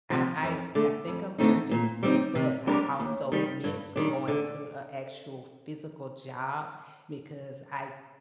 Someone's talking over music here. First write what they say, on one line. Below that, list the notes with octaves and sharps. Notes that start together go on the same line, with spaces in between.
I I I think I'm very disciplined, but I also miss going to a actual physical job because I
C3 F3
F2
D3 A3
F2
D3 A3 C4 D#4
A#2
G3 C4 D#4
C3
G3 D4 G4 A#4
D#2
D#3 G3
G2
D#3 G3 D4
D3